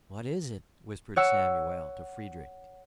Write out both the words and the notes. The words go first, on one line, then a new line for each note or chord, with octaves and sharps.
"What is it?" whispered Samuel to Friedrich.
C#5 F#5 E6